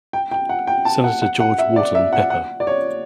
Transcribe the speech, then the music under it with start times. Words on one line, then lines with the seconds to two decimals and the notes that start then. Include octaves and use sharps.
Senator George Wharton Pepper.
0.13 G5
0.31 G5
0.49 F#5
0.67 G5
0.85 A5
1.04 F#5
1.22 F#5
1.40 F#5
1.58 E5
1.76 D5
1.95 E5
2.13 F#5
2.30 F#5
2.60 D5
2.67 C#5